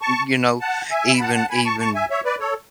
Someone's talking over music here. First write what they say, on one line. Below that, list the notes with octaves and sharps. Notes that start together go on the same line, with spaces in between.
y you know, even even
A5 C#6
F#5 A5
E5 G#5
B5
F#5 A5
F#5 A5
G#5 B5
A5 C#6
A5 C#6
E5 G#5
C#5 E5
B4 D5
A4 C#5